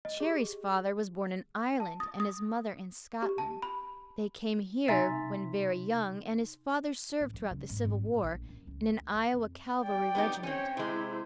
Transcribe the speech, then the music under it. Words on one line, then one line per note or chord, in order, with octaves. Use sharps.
Cherrie's father was born in Ireland, and his mother in Scotland; they came here when very young, and his father served throughout the Civil War in an Iowa cavalry regiment.
D#5
G4 G#4
A5
D#6
D#6
G4
A5
B5
C3 D#4 E5 G#5 A#5 C6 A6 B6
A1
F#2
C#3
G#2
G#1
A2
A#1
F#2
C#2
D2
A#3
F2
D5 G5
B3 D#4 G4
C4 C#4 C#5 G5
C3 G#3 E4 C5